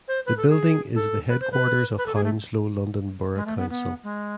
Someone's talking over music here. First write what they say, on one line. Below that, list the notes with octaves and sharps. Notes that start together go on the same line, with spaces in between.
The building is the headquarters of Hounslow London Borough Council.
C5
B4
A4
G#4
A4
B4
C5
B4
B4
A4
G#4
A3
G#3
A3
B3
B3
G#3